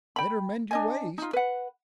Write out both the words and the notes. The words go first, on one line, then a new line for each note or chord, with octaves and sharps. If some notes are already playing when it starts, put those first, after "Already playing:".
Better mend your ways.
G5 B5
D4 D#5 G#5
D#4 F4
B4 F#5